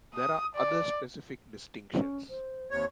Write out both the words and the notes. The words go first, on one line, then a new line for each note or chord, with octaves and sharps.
There are other specific distinctions.
D#6
D5
C#4
C5
D#2 C3 C#5